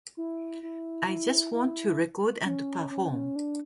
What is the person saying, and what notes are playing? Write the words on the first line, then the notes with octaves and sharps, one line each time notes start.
I just want to record and perform.
E4
E4
E4
E4
C#4
C#4
C#4
D4